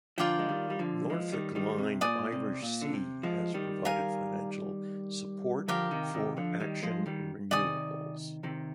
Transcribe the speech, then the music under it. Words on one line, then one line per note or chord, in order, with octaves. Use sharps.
Norfolkline Irish Sea has provided financial support for Action Renewables.
D3 F3 F4 A#4 D5 G5
G#3
D#3 G3
G3
D3 F3
F3 G#3
D#3 G3
D#3 G3
C3
A#2 D5 G#5 D#6
C3
A#2
D3
C3
F3 G#3
D#3 G3
A#4 F5 G#5
D3 F3 G4 A#4 F5
C3 D#3
C3 D#3
D3 F3
D#3 G3
F3 G#3
D#3 G3
C3 D#3 D5 G#5 D#6
C3 D#3